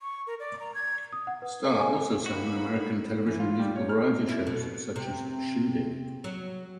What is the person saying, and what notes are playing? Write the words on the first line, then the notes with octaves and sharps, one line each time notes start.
Starr also sang on American television musical variety shows such as Shindig!
C#6
A#4
D5
A#5
G#6
D#6
F#5
B4
G#5
A#3 B3 C#4 D#4 F#4 B5
E3
F4
G3
C#5
F6
E4
B2
C3
F#3